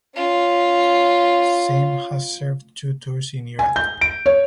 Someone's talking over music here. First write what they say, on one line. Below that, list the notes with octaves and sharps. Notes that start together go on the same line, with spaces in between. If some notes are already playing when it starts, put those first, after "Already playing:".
Syme has served two tours in Iraq.
C#4 F4
G#5
G6
D7
C#5